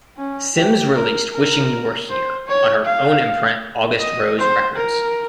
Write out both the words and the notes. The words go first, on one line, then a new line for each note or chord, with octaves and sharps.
Sims released "Wishing You Were Here" on her own imprint, August Rose Records.
C#4
G4
A#4
A#4
C5
C#5
F5
D#5
C5
A#4